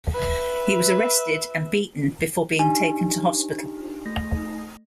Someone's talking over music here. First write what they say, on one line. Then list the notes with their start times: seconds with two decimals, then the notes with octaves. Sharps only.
He was arrested and beaten before being taken to hospital.
0.14 B4 E5
2.59 D4 D#4 G4 G#5
4.05 A3 A#6